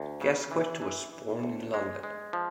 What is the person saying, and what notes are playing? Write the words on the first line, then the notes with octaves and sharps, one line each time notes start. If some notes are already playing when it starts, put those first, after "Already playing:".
Gasquet was born in London.
Already playing: D2
C#3
E3
E3
E3
D2
G#3
G#3
F3